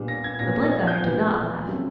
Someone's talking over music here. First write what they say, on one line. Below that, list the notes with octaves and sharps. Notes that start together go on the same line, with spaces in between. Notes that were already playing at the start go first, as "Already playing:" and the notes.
But Blenkiron did not laugh.
Already playing: A#2 G3 B3 D4
A#6
G#6
A#2 G3 B3 D4 A#6
A#6
G#6
G6
A#2 G3 B3 D4
C#3 F#3 A3 C4